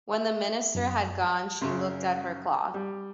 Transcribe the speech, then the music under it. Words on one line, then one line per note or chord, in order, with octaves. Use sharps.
When the minister had gone, she looked at her cloth.
E5
F#2
F#2 C#3 C6
G3